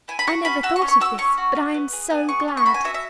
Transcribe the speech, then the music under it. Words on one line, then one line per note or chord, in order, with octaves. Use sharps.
I never thought of this; but I am so glad.
E4 G#5
B5
F#4 C#6
C#4 B5
F#4 E6
C#6
C#4
C#6
F#4 E6
C#4 C#6
F#4
C#4
B3
G#4
B3 G#5
G#4 C#6
C#4
C#6
F#4 B5
G#5
F#4 E5
E5